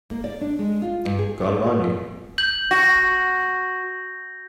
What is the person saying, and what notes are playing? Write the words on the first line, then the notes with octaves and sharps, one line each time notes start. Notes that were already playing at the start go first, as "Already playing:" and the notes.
Got it on you?
A#3
D5
D4
G#3
F4
G2
G#4
G6 F#7
F#4 A#6